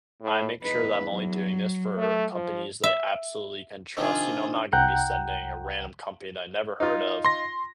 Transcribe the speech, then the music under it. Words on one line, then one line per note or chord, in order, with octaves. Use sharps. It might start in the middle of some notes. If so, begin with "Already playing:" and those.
I make sure that I'm only doing this for companies that I absolutely can trust, you know, I'm not going to be sending a random company that I've never heard of,
A2
E2 D#4 B4
F#3
A3
F3
E5
C3 D#3 F3 D4 D#4 F4 G#4
C2 F#5 G5 A#5 F#6 G6
D#4 F4
C6 A#6